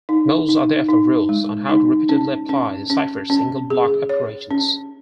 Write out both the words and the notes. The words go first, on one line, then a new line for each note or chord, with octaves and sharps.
Modes are therefore rules on how to repeatedly apply the ciphers' single-block operations.
D#4
D#4
D#4
G#3
D#4
C#4
C#4
C#4
C#4
G#4
C#5
C#4